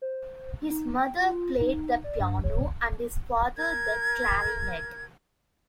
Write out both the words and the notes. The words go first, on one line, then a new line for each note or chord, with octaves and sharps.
His mother played the piano, and his father, the clarinet.
C5
D#4
G5
F4
D#4
D5
G2
C#5
A#4 G#6